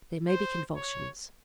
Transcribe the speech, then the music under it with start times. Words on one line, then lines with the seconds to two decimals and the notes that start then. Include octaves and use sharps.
There may be convulsions.
0.28 C5
0.76 C#5